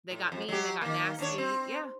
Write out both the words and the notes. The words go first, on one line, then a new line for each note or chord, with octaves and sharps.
They got mean, they got nasty yeah.
A2
F2
F#3 G4
D#3 A#3
D#2 D4 C#5
C4